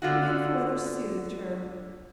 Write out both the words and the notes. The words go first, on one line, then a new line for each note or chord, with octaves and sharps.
The beautiful weather soothed her.
D3 F4 F#4